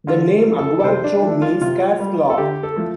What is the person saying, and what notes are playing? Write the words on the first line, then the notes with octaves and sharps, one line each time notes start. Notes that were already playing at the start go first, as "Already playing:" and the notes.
The name "Aguaruto" means cat's claw.
D3 F4
F3 A3
A4
A4
C3 C5
D4
F3 A3 D4
F4
C3 F4
G3
A4
D3 G4
A4
F3 A3